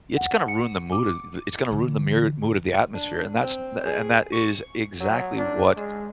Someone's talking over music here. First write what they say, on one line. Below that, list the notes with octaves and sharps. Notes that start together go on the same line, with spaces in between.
it's gonna ruin the mood of the it's gonna ruin the mere mood of the atmosphere, and that's th th and that is exactly what
F#5
C#7
D6
D3 E3
D4
C4
G#4
C#6
F#3
D4
G#3